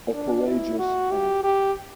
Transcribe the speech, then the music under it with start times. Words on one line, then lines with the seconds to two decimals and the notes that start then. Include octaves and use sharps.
A courageous act.
0.14 D4
0.47 E4
0.79 F#4
1.12 G4
1.43 G4